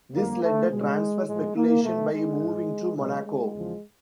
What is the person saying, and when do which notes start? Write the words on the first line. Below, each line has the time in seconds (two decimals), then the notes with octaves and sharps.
This led a transfer speculation by moving to Monaco.
0.15 F2 D3 G3 A#3
0.43 A3
0.72 B2 G3 G#3
1.28 A2 F3 G#3
1.57 A#3
1.84 B2 F#3 A3
2.12 G#3
2.41 G#2 F3
2.97 B2 F#3 G#3
3.26 G#3
3.54 E2 C#3 F3